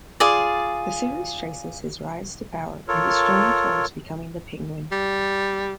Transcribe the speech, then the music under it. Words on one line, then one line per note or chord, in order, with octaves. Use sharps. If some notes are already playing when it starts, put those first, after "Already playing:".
The series traces his rise to power and his journey towards becoming the Penguin.
F4 G#4 D5
F4 A4 A#4 C#5
G3